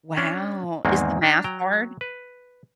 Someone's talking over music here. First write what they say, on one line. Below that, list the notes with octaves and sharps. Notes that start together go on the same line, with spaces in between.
Wow, is the math hard?
C#4 D4
E2 G#2 D#3 G#3 A#3 C4
D4 A5 A#5
F#3 G5 A#5
B4